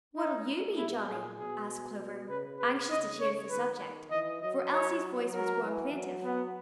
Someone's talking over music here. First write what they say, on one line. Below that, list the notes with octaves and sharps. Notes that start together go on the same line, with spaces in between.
"What'll you be, Johnnie?" asked Clover, anxious to change the subject, for Elsie's voice was growing plaintive.
D#4
B2 E4
A#2 G#4
B2 G#4
C#3 B4
B4
C#3 D#5
C#5
D#3 B4
E3 D#5
F#3 D#5
C#5
F#3 A#4
E3
F#3
B3